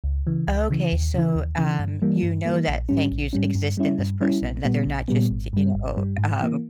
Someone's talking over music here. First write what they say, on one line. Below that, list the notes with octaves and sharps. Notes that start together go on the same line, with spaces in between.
Okay, so, um, you know that "thank yous" exist in this person, that they're not just, you know, um,
C#2
C#3 E3
C#2
C#3 E3
D#2
C#3 E3
D#2
C#3 E3
G2
E3 G3 A#3
G2
E3 G3 A#3
A#1
G#2 G3 C#4
A#1
G#2 G3 C#4
G2
G3 C#4 E4
G2
G3 C#4 E4
A#1
A#2 G3 B3
A#1
A#2 G3 B3
G#1
G2 G3
G#1
G2 G3
G#2
E3 A#3